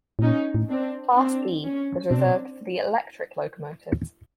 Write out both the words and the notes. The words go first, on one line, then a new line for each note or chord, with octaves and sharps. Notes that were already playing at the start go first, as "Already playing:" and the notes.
Class E was reserved for the electric locomotives.
A2
A#2 C#4 D#4
A2
C4 D4
C4 D4
C#4
B2 C4 D4
C3
B2